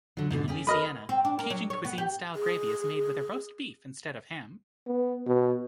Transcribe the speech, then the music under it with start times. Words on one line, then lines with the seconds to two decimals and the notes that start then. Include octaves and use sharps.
In Louisiana, Cajun cuisine-style gravy is made with a roast beef instead of ham.
0.17 D3 F#3
0.30 G#2 B2 D3
0.48 C#4 G4 G#4
0.67 A#4 B4 D#5 B5
1.09 C4
1.25 D4
1.39 A#4
1.50 F#3
1.70 C#5
1.85 B3
1.98 G4
2.35 G#4
4.87 B3
5.26 B2